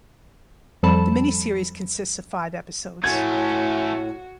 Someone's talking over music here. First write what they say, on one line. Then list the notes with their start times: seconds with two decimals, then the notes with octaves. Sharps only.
The mini-series consists of five episodes.
0.83 F2 F3 G3 A4 A5 B5
3.04 A2 A3 C#4 F#4 G#6